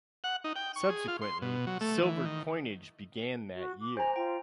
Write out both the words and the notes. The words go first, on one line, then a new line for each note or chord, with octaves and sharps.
Subsequently, silver coinage began that year.
F#5
D#4
G5
C#6
G#4
F4
C6
B2
F#3
A3
E3
D#3
F#4
D6
C5 G#5 A#5
F4 G5